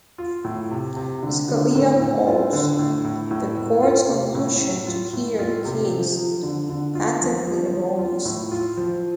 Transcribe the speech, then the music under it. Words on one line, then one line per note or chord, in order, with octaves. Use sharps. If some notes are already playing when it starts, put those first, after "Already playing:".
Scalia calls the Court's conclusion to hear the case "patently erroneous".
F4
A2
C3
C3
D3
D3
A2
A2
F4
D3
A2
A2
A2
A2
F4
C3
A2
A2
F4
A2
F4
C3
F3
F3
D3
D3
F4
F3
F3
F3
F4
A2
F4
F3